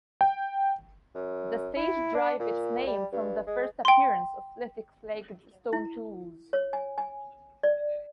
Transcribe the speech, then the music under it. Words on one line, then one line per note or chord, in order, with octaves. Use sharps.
The stage derived its name from the first appearance of Lithic flaked stone tools.
G5
F#2
E4
D4
A#2
G3
G2
G#3
G5 C6
E4
C#5
G#5
G#5
D5